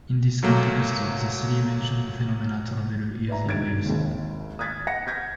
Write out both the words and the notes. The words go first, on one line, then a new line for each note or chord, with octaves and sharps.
In this context, the three mentioned phenomena travel using waves.
C#2 F#3 A3 A#3
B4 D5 E5 A#5
E1 G2 D#3 G#6 A6 D7
G#1 D#2
D#6 F#6 G#6 A6 B6
F#5 A#6 C#7
G6 G#6 A#6 B6